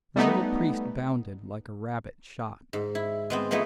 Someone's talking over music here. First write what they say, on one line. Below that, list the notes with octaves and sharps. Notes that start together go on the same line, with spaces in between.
The little priest bounded like a rabbit shot.
G3 A3 B3 D#4
G#2
E4
G#3 B3 C4
F3 G#3 A3 B3 D#4 E4